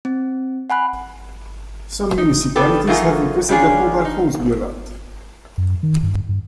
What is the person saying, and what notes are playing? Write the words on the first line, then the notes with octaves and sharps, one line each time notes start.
Some municipalities have requested that mobile homes be allowed.
C4
F#5 G#5 B5 F#6
D#4
B3 D4 F4 G4 A4 B4
F#3 A3 A#3 D#4 F4 G#4
G3 G#3 C#4 D4 F4 G#4
D#4
F#2
D#3
G2
G2